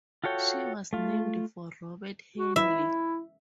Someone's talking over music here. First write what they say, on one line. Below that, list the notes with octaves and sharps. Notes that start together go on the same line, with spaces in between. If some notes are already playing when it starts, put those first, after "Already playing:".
She was named for Robert Henley.
F4 F#4 A4 C#5 G5
A3 F4
F#4
E4 E5